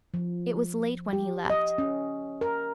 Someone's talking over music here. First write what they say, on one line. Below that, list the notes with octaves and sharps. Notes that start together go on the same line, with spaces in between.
It was late when he left.
F3
G4
D#5
C#4
A#4